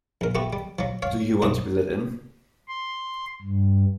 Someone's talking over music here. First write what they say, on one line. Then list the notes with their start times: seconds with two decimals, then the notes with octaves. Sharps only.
Do you want to be let in?
0.21 A#1 A#4
0.35 A3 B3 F#4 G4
0.53 G3
0.79 F3 F#3
1.02 C#5 F5
1.42 B1 F#2 D4 F#4 C5
2.68 C6
3.42 G2